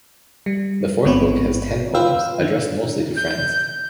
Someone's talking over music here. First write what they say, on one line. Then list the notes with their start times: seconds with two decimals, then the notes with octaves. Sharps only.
The fourth book has ten poems addressed mostly to friends.
0.46 G3
1.05 A1 G#2 B3 C4 B4 C#5
1.94 F4 B4 F5 G5 E6
2.40 D#3 D4
3.17 G6